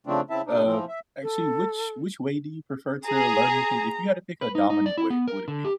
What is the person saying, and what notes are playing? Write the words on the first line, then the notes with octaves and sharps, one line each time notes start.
uh, actually, which which way do you prefer to learn new thin If you had to pick a dominant way, would it be?
C#3 F3 A3 C4 D4
C#3 C4 E4 E5 A5
C3 D4 D#4
E3 F3 C4
E5
A4
G#4 A#5
B4
D#4
D#4
D5
E4
B3
A#4
D3
G4